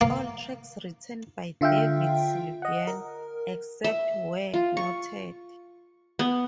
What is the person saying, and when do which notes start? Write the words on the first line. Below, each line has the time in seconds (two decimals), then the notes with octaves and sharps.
All tracks written by David Sylvian, except where noted.
0.01 A#3
1.61 D3 F4 E5 F5 G5
2.62 D#5 F#5
2.87 A#4
3.84 E5
4.54 F4
4.77 C#6
6.19 B3